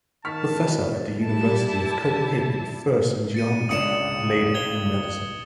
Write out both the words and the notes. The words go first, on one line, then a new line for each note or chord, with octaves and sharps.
Professor at the University of Copenhagen, first in Geometry, later in Medicine.
D#3 A5 C#6 F6 B6
E1 B2
G3 E4 A5
A6 C#7 D#7
C#2 D4 D#6 C#7 E7
G#6 F7 G7